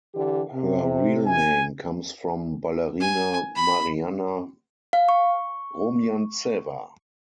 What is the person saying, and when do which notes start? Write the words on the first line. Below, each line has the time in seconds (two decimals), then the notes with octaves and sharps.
Her real name comes from ballerina Marianna Rumjantseva.
0.14 D3 E3 G4
0.53 C3
1.26 G#5
3.00 G#5
3.55 B5
4.93 F5
5.09 C#6